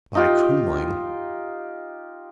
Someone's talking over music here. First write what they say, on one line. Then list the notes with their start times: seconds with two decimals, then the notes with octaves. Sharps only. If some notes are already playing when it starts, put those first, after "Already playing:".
"By cooling?"
0.15 D#4 F4 G4